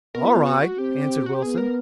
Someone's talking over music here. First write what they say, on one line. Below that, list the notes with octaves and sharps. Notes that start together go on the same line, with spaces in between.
"All right," answered Wilson.
B3 A#4
E4
F4
F#4
F#4
C4 G4
F#4
G4
B3 G#4
A#4